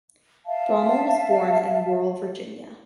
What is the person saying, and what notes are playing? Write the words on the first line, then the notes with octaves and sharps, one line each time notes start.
Bromell was born in rural Virginia.
E5 F5 A5